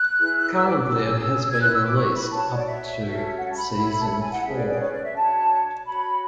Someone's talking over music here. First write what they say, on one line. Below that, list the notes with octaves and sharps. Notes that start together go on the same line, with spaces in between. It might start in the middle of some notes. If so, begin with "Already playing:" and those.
Currently, it has been released up to season four.
Already playing: F#6
E4 G#4 B4
E6
D6
D6
C#4 G#4 C#5 E6
G#6
E4 B4 F#6
E6
D6
C#6
B5
F#4 C#5 A5
D5
E5
C#4 F#4 A4 C#5
F#5
A5
B5
E4 A4 C#5
A5
B5
G#5
F#5
C#4 G#4 B4 E5
D5
D5
C#5
D5
E5
D4 F#4 C#5 A5
F#4 C#5 B5